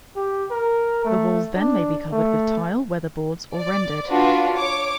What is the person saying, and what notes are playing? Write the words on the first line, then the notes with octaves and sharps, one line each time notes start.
The walls then may be covered with tile, weatherboards or rendered.
G4
A#4
A3
D4
A3
D5
D4 F4 F#4 B4
C#5 D6